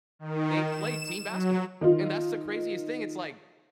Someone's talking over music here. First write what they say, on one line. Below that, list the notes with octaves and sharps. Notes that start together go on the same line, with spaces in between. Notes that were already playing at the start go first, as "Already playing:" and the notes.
they played team basketball, and that's the craziest thing, it's like,
D#3
E7
F#3
D#3 D#4 F4